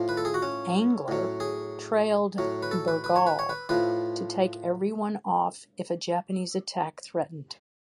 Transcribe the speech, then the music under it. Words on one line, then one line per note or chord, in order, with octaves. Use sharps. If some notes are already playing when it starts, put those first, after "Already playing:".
"Angler" trailed "Bergall" to take everyone off if a Japanese attack threatened.
Already playing: A2 F3
B4
A4
G#4
F#4
C#4
A2 F#3
G#4
A2 F#3
B4
A4
B4
B4
C#5
B4
C#5
B4
A2 F3 B4